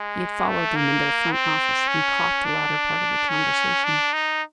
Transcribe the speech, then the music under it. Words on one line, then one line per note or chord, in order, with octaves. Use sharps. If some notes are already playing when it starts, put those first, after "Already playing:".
He had followed them into the front office, and caught the latter part of the conversation.
Already playing: G#3
A3
A#3
C4
C#4
D4
C#4
D4
D#4